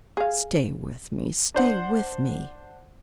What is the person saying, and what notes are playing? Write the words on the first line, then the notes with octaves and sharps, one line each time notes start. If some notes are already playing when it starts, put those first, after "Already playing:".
Stay with me, stay with me!
G#4 F5
D4 C5 F#5